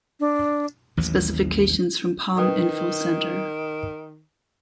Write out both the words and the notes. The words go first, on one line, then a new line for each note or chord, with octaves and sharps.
Specifications from Palm Info Center.
D4
A1 D#2 E3 F#3
D#3 B4 G5 D#6